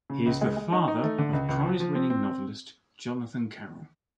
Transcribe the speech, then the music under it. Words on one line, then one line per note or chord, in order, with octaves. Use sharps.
He is the father of prize-winning novelist Jonathan Carroll.
C#3
C#2
G#3
G#3
D#4
D#4
A3
D3
C#2
C#2
F3
F3
C4
C4